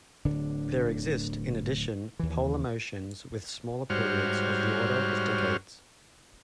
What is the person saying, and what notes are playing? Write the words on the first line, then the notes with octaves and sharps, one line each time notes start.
There exist, in addition, polar motions with smaller periods of the order of decades.
D1 D3 D4
D#2 E3
G#2 G3 F#4 C5 C#5 F6